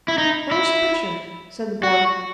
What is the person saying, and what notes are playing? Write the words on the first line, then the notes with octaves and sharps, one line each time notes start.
'Show us a picture,' said the boy.
E4
D#4
E4
F#4